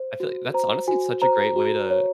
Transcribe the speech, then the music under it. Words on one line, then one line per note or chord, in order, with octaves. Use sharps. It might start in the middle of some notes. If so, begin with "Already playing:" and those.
I feel, like that's honestly it's such a great way to uh,
Already playing: C5
F#4
C5 A#5
F#4 G#5
C5 A#5
F#4
C#5